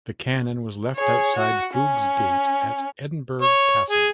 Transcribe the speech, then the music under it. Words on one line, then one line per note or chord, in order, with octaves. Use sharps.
The cannon was left outside Foog's Gate at Edinburgh Castle.
G#4 C#5
F#4
C#4
C#5
G#4